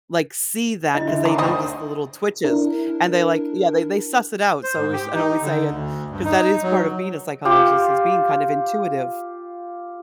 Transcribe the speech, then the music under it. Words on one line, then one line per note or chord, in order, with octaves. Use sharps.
like, see that 'cause they notice the little twitches and they, like yeah, they they suss it out so, we sh I always say and 'cause that is part of being a psychologist is being kind of intuitive,
D3 E4 D#5
D3 E5
A#3 C#4
D2 G3 D#4 C5 D#5
D4 E4 A#4
C5
G#2
G4
D#4
D3
D2
G2
D#4
F#3
F4 G4